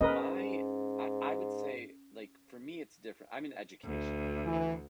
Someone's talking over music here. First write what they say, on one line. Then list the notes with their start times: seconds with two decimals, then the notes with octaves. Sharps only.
my I I would say, like, for me it's different. I'm in education
0.01 G#2 C#4 A#4 B4 D#5
3.84 D2
4.46 E3